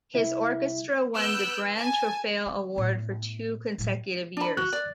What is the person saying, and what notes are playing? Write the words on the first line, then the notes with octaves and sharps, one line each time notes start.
His orchestra won the "Gran Trofeo Award" for two consecutive years.
C2 E4
B3 E6 F#6 G6 D7
G#5 A5
E3
A2 B3
A2 F3
D4 B5
F#4 F#6
D5